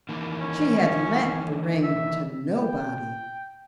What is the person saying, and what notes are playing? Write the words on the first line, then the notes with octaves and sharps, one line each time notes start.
She had lent the ring to nobody.
D#3 E3 A#3
C#4
E5
G5